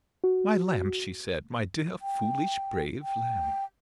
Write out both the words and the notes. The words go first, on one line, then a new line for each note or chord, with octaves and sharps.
"My lamb!" she said; "my dear, foolish, brave lamb!"
F#4
G5
G5